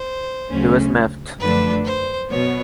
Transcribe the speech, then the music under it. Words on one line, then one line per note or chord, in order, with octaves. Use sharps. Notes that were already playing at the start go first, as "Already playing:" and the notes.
He was miffed.
Already playing: C5
D2 C#3 F#3 A3 C#4
F#2 D3 F3 A3 D4 B4
C5
B2 F#3 B3 C#5